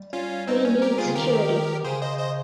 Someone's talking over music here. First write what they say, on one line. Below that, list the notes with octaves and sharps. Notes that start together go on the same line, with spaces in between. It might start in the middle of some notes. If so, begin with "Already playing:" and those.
We need security.
Already playing: G3
C#4 F4
C4 D#4
C#4
G4 A#4
F4 G#4
C#3
D#3 G4 A#4
C#3 G#4 C5
C5 D#5
C5 D#5